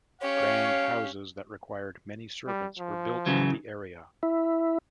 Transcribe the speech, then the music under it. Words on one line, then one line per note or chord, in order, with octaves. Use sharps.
Grand houses that required many servants were built in the area.
C#4 G4 C#5 F5
G3
F3
C#3 E3 F#3
E4